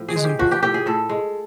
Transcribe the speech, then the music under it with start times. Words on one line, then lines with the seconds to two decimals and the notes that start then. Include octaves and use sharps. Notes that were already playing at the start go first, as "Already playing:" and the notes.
is important
Already playing: A2 F3
0.09 G#4
0.16 G#3
0.24 G4
0.39 F3 F#4
0.51 G4
0.63 A2 G4
0.74 G#4
0.86 A2 A4
1.09 G#3